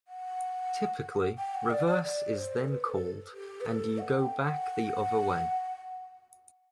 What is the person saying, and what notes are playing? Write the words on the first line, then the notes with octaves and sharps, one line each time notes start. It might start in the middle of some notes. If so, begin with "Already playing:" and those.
Typically "reverse" is then called and you go back the other way.
F#5
G5
F#5
D5
D5
D5
C5
A4
B4
A4
G4
B4
A4
F#5
G5
F#5